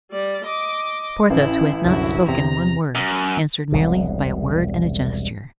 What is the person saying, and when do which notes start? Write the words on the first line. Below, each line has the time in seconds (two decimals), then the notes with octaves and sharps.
Porthos, who had not spoken one word, answered merely by a word and a gesture.
0.11 G3 D5
0.45 D#5 D6
1.30 A1 E4
1.85 C2 F#2 D3 E4 F#4
2.28 E2 C3 A#5
2.95 F#2
3.72 E1 C2 B2